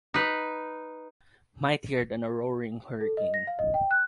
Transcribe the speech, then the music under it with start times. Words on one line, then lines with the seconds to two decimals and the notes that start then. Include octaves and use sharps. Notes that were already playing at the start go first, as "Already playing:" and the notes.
Mightier than a roaring hurricane!
0.14 D#4 B4
3.01 A4
3.17 D#5
3.34 A#6
3.47 F5
3.59 D#5
3.74 G5
3.91 F#6